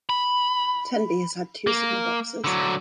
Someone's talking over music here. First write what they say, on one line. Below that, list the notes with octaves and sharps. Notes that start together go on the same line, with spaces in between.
Tenby has had two signal boxes.
B5
A#3
D3 F#3